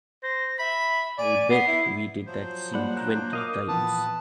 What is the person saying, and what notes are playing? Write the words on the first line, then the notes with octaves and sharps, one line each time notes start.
I'll bet we did that scene twenty times.
C5 A#6
E5 B5
D5 G#5
B3 C7
E4
F3 F#3 C5
G3 A#3 D5 F#5 B5
D4 F#4 A#5 F#6 G6
A#3
A#4 D#5 F5 D6
A#2 E3 F3 B3 B4 A5 D#6